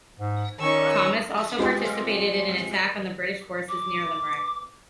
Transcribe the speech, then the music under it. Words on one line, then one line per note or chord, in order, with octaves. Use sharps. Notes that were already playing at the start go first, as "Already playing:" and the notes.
Tomas also participated in an attack on British forces near Limerick.
G#2
D#3 C#4 D#4 C#6 E6
G#3 C4 F4 G4
D6